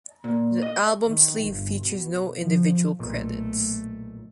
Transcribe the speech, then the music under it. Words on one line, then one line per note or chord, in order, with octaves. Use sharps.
The album sleeve features no individual credits.
A#2
D#5
D#3
G1
B2
F3
B1 A#2 A3